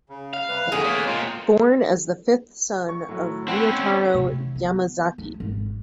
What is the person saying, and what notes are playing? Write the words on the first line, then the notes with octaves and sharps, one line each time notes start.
Born as the fifth son of Ryotaro Yamazaki.
C#3
F5
C3 G3 B4
F2 A2 D3 G#4
A#3 B3 C#5
A#2 G#3 C4 F4
C#6
A2 F#3
C4 C#4 F#5 B5
C3
B3
E4
G#1